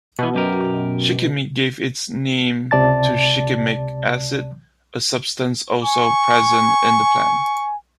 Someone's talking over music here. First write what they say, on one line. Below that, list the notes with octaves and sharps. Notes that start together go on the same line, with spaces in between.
"Shikimi" gave its name to shikimic acid, a substance also present in the plant.
B2 E3 B3
F#2 G4 A#4
C#2 C3 D5 A5 A6
G#5 C#6